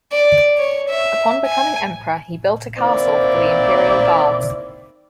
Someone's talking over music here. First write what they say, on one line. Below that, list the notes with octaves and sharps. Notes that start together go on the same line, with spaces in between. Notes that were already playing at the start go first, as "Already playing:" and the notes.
Upon becoming emperor, he built a castle for the imperial guards.
D5
C#5
E5
G#5
D#3 A#3 C4 E4 D5